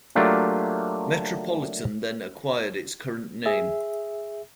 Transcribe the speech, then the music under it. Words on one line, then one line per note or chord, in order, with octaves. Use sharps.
Metropolitan then acquired its current name.
F#3 A3 A#3 D4 F4 G4
G#4 E5